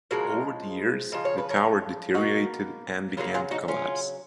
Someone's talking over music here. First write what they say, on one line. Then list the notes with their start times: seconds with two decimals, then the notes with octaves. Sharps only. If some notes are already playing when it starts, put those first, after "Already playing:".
Over the years, the tower deteriorated and began to collapse.
0.11 C#3 F3 G#3 F#4 A#4
1.12 C#3 F3 D#5
1.25 C#5
1.38 B4
1.50 A#4 C#5
2.15 B2 A#3 D#4 F#4
3.17 C#3 F#3 A#3 C#4 F4
3.34 F4 G#4
3.51 D#4 F#4
3.68 C#4 F4